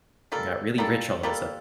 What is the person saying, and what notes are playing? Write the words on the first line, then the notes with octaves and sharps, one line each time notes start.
and got really rich all of a sudden.
G3 A#3 F4 A4
G3 A#3 F4 A4
G3 A#3 F4 A4